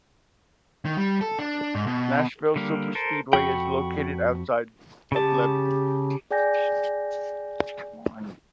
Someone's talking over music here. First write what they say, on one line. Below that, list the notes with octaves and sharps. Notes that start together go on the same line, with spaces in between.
Nashville Superspeedway is located outside of Lebanon.
D#3
G3
A4
D4
G#2
B2
D3 G3 A#3
A4 A#4 C5
F2 F#4 G5 B5 C#6
C#3 G4 A5
G#4 D5 G5 G#5 G6 A#6